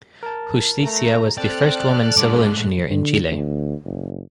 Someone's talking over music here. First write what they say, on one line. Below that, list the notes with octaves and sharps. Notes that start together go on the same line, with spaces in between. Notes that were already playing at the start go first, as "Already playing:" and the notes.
Justicia was the first woman civil engineer in Chile.
A#4 A5
A3 A#5
C4 A4 D5 G5 F6 F#6
A2 D3 G#3 D6
D3
D2
F#1